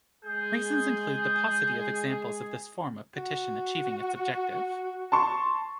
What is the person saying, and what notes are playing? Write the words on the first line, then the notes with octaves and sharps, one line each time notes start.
Reasons include the paucity of examples of this form of petition achieving its objective.
G#3 G#4 G6
F#4
A5 C6 C#6